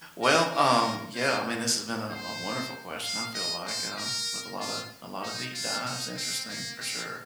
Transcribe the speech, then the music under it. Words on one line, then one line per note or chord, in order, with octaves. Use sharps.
Well, um yeah, I mean, this's been a a wonderful question, I feel like, um, with a lotta a lotta deep dives. Interesting, for sure.
A#4
A#4
C5
C5
F5
D#5
C5
A#4
F4
D#4
F4
D#4
C4
A#3
C4